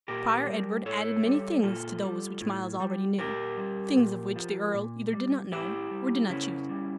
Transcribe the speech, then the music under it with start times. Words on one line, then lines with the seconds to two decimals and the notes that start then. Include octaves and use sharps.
Prior Edward added many things to those which Myles already knew--things of which the Earl either did not know, or did not choose to speak.
0.08 A#2 G4 A#4
0.47 G3
0.86 A2 A4 C#5
1.24 G3
1.63 A#2 F4 A4
2.03 G3
2.41 A2
2.80 G3
3.18 A#2 G4 A#4
3.57 G3
3.97 A#2
4.36 F3
4.74 A#2
5.13 G3
5.52 A2 E4 G4
5.91 G3
6.30 C#3 C#4 E4
6.69 G3